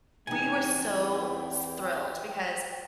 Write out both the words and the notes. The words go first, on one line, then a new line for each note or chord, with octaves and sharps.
We were so s thrilled because
E2 C3 D#4 G5 G#5